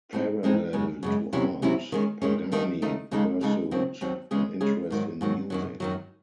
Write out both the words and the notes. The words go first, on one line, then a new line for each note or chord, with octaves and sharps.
Parallel to art, Pagani pursued an interest in music.
A2 G#3 C4 D#4
A2 G#3 C4 D#4
F#2 C#3 G#3
F#2 C#3 G#3
E2 C3 F#3 C#4 E4
E2 C3 F#3 C#4 E4
D#3 G#3 C#4
D#3 G#3 C#4
D#2 D#3 A3 D#4
D#2 D#3 A3 D#4
D#2 C#3 G#3 D#4 A4
D#2 C#3 G#3 D#4 A4
D#2 D#3 F#3 C4
D#2 D#3 F#3 C4
C#3 G#3 C#4 G#4
C#3 G#3 C#4 G#4
G#2 D#3 F#3
G#2 D#3 F#3
F#2 D#3 F#3
F#2 D#3 F#3